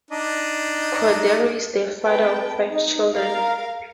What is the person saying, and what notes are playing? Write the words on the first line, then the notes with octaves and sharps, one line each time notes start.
Cordero is the father of five children.
D4 D#4
A4 B4 G5
D#4
A#4 F5